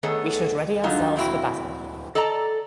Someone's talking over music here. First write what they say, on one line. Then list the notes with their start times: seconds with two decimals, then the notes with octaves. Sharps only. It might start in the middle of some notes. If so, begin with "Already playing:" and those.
We should ready ourselves for battle.
0.03 D#3 A3 B3 G#4 A4 C#5
0.84 D3 F#3 D#4 F4
1.16 F2 A#2 C4 E4 F#4 G5
2.15 A4 D5 D#5 A5 A#5